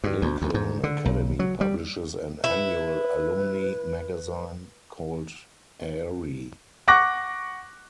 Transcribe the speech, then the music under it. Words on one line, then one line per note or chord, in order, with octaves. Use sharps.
Lincoln Academy publishes an annual alumni magazine called Aerie.
G2
D2
D2
G#2
D3
B1
F#3
G3
E4 B4
F#5 C#6 D6 F#6 A#6